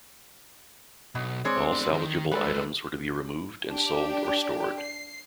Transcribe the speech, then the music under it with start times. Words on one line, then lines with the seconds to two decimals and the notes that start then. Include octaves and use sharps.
All salvageable items were to be removed and sold or stored.
1.15 B1 B2
1.45 G#3 C4 C#5 D5
1.72 B3 D4
1.93 D#3
2.32 G3 G#3 A4 B4
3.70 D4 G4
4.80 C7